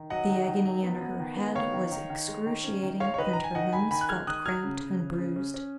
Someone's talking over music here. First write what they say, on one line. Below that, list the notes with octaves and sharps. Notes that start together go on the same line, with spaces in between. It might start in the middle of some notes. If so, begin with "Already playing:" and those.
The agony in her head was excruciating, and her limbs felt cramped and bruised.
Already playing: D#3
F#3 D#5 F#5
D#3
D#3
F#3
B3
B3
D#3
B3
D#3 C#5 F5
D#3
D#3
D#3
G#3
D#3
C#4
D#3
G#3 C#5 F5
C#5
D#3 B4 D#5
D#3 A#5
G#5
D#3 D#5 F#5
D#3 G#5 B5
D#3 G#5 B5
F#6
G#3 F6 G#6
D#3 D#6 F#6
F#3 F6 G#6
C#3
C#3
C#3
C#3
C#4
C#4